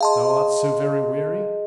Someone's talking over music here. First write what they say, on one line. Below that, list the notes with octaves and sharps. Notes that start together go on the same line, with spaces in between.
Thou art so very weary?
G#4 D#5 F5 A5 C6